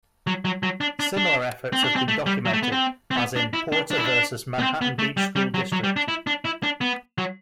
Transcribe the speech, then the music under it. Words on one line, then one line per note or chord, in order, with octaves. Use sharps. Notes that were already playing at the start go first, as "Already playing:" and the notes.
Similar efforts have been documented as in Porter versus Manhattan Beach school District.
F#3
F#3
F#3
D4
D4
D4
C4
D4
C4
A3
G3
F#3
A3
B3
C4
C4
B3
D4
E4
D4
D4
E4
D4
B3
C4
B3
A3
G3
G3
F#3
F#3
G3
D4
E4
D4
E4
D4
B3
F#3